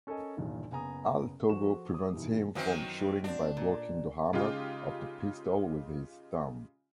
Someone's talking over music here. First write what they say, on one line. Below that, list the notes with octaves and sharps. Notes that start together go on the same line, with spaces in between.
Al'Togo prevents him from shooting by blocking the hammer of the pistol with his thumb.
C#4 A4 A#4 D#5 G#5
G1 D#2 A#2 E3
F#1 B3 G#5 A#5 D#6
F3 F#4 A4 C5 C#6 E7
D6 D#6
G2 B2 D#3 E3
F#2 D#3 E3 F#3 C4
C4 D4 F#4
A#2
C#3 G#3 D#4 F4 G4